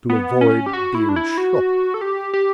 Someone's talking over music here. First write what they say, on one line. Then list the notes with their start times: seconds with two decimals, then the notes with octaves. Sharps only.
"To avoid being shot."
0.10 B3
0.41 C#4
0.66 G4
0.73 F#4
0.95 E4
1.09 D4
1.16 E4
1.38 F#4
1.94 A4
2.01 G4
2.34 G4